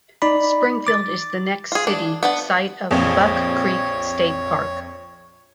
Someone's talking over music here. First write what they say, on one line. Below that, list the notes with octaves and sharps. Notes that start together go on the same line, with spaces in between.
Springfield is the next city, site of Buck Creek State Park.
D#4 D5 B5
D6 A6
F4 G#4
D4
B3 D4 F#5
A#1 F2 C#5